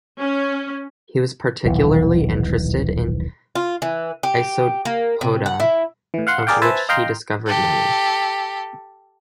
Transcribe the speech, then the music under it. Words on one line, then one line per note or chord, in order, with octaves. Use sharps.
He was particularly interested in isopoda, of which he discovered many.
C#4
D#1 B1 E3
F4
E3
G4
A#3
C3
F#5
E4
A2 E3
F5 F#5 C6
G#4 A#4 D5 F5 G5
B4 C5 E5 G#5 A5
D#5 F5 G5 A#5 C6
G4 A4